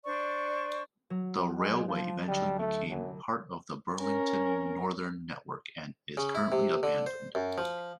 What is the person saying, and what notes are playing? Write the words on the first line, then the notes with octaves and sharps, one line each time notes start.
The railway eventually became part of the Burlington Northern network and is currently abandoned.
D4 C5 D5 C#6
F#3
G#3
F3 A3
D2 G3 D#5
A3
C2 F#2
C#4 A#4
C#3
E4
C3
D3
C5
F#2
F3